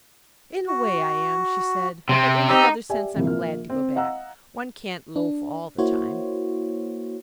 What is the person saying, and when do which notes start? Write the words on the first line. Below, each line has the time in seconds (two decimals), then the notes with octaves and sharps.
"In a way I am," she said, "but in another sense I'm glad to go back. One can't loaf all the time."
0.68 F#4
2.09 C3 C4
2.49 C4 D#4 G4 E6
2.89 G4 D5 E5 G#5
3.15 G#1 C3 F3 A#3 E4
3.27 A#1 A#3 F4 F6
3.70 C4
3.95 D#5 F5 F#5 A#5 E6
5.16 D4
5.78 A#3 E4 F#4 C5 C#5